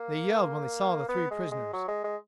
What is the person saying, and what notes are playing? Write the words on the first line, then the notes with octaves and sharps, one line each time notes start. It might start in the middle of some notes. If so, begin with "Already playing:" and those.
They yelled when they saw the three prisoners.
Already playing: A#3
B3
G#3
G#3
F#3
G#3
G#3